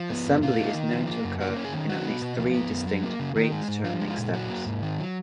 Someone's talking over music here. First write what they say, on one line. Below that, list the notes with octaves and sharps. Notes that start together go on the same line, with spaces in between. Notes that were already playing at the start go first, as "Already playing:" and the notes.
Assembly is known to occur in at least three distinct rate-determining steps.
Already playing: F3
B3
F#2
A#3 F4
D#4
D#3
F3
A#3
F#2
A#3 F#4
C#4
G#4
D#3
F#3 F#4
B3
B2
F3
B3
F#2
F#3
A#3
C#3
D#3
G#3
G#2
F3 F4
G#3
F4
A#2
F#3 F#4
A#3
G#2
D#3
F#3